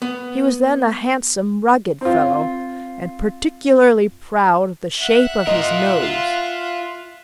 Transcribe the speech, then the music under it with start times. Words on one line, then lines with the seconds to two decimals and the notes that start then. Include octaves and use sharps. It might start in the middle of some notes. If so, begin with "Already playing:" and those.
He was then a handsome, rugged fellow, and particularly proud of the shape of his nose.
0.02 B3
2.01 C4 F4
4.97 E5 F#5
5.47 F4 A#4 D#5
6.02 F4